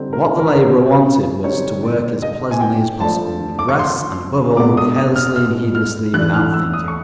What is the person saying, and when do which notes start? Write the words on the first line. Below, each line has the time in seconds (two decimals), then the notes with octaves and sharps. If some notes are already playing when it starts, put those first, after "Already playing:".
What the laborer wanted was to work as pleasantly as possible, with rests, and above all, carelessly and heedlessly, without thinking.
Already playing: D3 G3 C4 D#4
0.13 A#4
0.39 A#4
0.47 B4
0.54 A#4
0.65 C5
1.44 D3 G3 C4 D#4 C#5
1.83 D5
2.22 D#5
2.51 G#5
2.61 G5
3.00 F3 A3 D4 A5
3.59 D6
3.69 C#6
3.79 C6
4.57 B2 G#3 B3 D4 D6
4.77 D#6
4.96 D#6
5.16 F6
5.36 F6
5.75 F6
6.14 E3 A3 D4 F#6
6.34 F6
6.54 E6
6.74 D#6
6.88 C#6